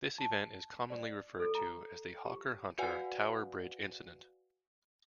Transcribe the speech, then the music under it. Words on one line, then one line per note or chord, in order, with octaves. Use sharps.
This event is commonly referred to as the Hawker Hunter Tower Bridge incident.
A5
D5
A4
A#5
G4
F#4 B4 D5 F5 F#5 G#5